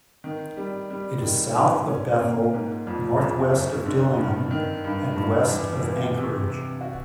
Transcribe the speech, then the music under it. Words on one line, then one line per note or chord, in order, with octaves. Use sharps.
It is south of Bethel, northwest of Dillingham and west of Anchorage.
D#3
G3
G3
D#3
G#2
C#4
A#3
G#2
F2
F2
F#1
D3
G2
D#3
G2
G2
E2
E2
C3
C3
F#4